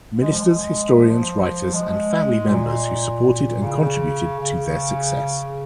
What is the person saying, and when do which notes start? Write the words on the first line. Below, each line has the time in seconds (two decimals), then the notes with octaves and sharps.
Ministers, historians, writers, and family members who supported and contributed to their success.
0.21 G#3
0.32 F3
0.42 G#3
0.98 F3
1.74 G#3
2.49 A#2
3.63 C#3
4.39 C#3